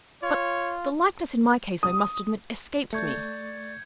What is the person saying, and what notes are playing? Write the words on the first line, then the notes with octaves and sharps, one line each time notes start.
But the likeness in my case, I must admit, escapes me.'
F4 C#5
D#6
A3 D5 C#6 G6 G#6 C#7